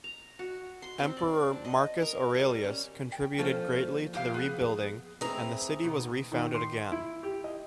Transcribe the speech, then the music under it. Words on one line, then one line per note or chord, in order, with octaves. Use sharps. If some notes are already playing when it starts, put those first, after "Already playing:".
Emperor Marcus Aurelius contributed greatly to the rebuilding and the city was re-founded again.
A#5
F#4
C6
C4
D5
D4
D#5
A#4
G3
C#4
G5
F3 A#3 C#4 F4 A4 C5
A2 G4 F5
B3 G#4
E3 C4 G#4 A#5
D#2 B2
D#3
C6
E4
G4
D#5